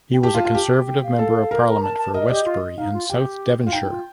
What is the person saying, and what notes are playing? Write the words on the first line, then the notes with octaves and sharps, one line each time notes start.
He was Conservative Member of Parliament for Westbury and South Devonshire.
G5
G4 A5
F4
F4
G4
G5
F5
A4
A#4
A#5
A5
A5
A#4 D#5
D5
G4 D#5
F4
D#4 F5
F4
G4 G5
F4 F5
D#4 G5
D#4
F4